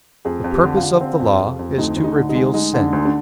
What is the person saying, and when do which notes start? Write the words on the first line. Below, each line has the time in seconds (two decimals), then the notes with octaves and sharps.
The purpose of the Law is to reveal sin.
0.25 F2 G#4
0.44 F2
0.51 G4
0.63 D3
0.76 F4
0.82 D3
1.01 C4
1.20 F2
1.40 F2
1.59 F2
1.78 D2 D#4
1.96 D2
2.04 D#4
2.16 D3
2.29 D#4
2.35 G#3
2.54 G#3 D#4
2.74 D3
2.80 D4
2.93 D2
3.05 D4